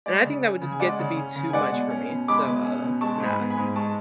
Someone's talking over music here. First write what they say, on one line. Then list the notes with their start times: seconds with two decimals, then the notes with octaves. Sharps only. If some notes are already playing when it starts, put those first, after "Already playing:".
And I think that would just get to be too much for me. So, uh, no.
0.06 G#3 D5
0.24 C#3
0.43 C#4
0.61 C#3
0.72 G#5
0.80 G#3 D5 F#5
0.99 C#3
1.16 C#4
1.35 C#3
1.50 G#5
1.53 G#3 D5 F#5
1.72 B2
1.90 C#4
2.09 B2
2.28 G#3 B5 D6
2.47 B2
2.64 C#4
2.83 B2
3.01 G#3 A5 C#6
3.20 G#2
3.26 G#5 B5
3.39 B3
3.50 G#5 B5
3.58 G#2
3.75 G#3 A5 C#6